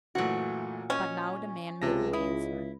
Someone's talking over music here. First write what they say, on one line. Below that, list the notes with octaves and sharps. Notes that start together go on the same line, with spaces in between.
But now the man made no answer.
F#2 A#2 E3 A3 F#4
C#4 D#5
C#2 C3 A5 A#6
E4 D#6